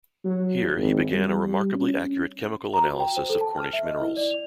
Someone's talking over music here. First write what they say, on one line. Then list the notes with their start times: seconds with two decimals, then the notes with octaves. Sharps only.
Here, he began a remarkably accurate chemical analysis of Cornish minerals.
0.24 F#3
0.76 G#1
1.12 G3
1.74 C#4
2.74 A#5
2.85 F#4
3.00 G5
3.17 C5
3.30 A4
3.41 A5
3.58 F6
3.73 E5
3.85 D#5
4.01 E4
4.17 D5
4.31 F7